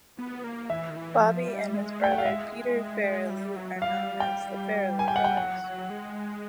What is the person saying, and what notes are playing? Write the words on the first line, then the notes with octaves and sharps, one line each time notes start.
Bobby and his brother Peter Farrelly are known as The Farrelly brothers.
B3
A#3
E3 E5
D#3
E3
F3
G3
G#3
A3 G5
F#5
F5
G#3 E5
G#3
G3
F#3
F#3
G3 F5
G5
G#5
G5
F#5
G5
F#3 F#5
F#3
G#3